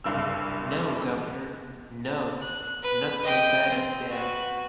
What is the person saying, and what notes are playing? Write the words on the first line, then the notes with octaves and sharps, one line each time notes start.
No, guv'nor, no; not so bad as that.
F#1 C2 G2 E6
F#6
B4
D#5 G5
C4
F#4 B4